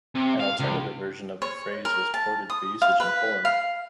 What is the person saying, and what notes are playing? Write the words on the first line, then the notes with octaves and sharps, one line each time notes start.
An alternative version of the phrase was ported for usage in Poland.
C3
F5
C#2
C#5
A#4
A5
D#6
F5
B4
F5